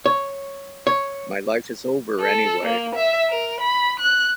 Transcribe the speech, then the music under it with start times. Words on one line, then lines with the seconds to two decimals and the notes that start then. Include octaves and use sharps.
My life is over anyway.
0.06 C#5
0.87 C#5
2.20 A4
2.65 A#3
2.95 E5
3.30 A#4
3.61 B5
4.00 F#6